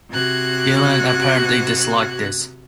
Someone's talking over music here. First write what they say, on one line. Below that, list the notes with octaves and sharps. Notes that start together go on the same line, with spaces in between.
Dylan apparently disliked this.
C3 F#4 F#6 G#6